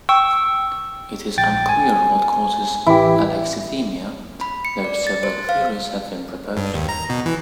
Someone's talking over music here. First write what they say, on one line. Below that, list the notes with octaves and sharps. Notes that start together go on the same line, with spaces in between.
It is unclear what causes alexithymia, though several theories have been proposed.
G5 C#6 E6
A#1 G5 A6
G#5
A1 E3 E4 G4
B5
C#7
D5
A6
C5
F5
G2
D#2
A#5
B2
E3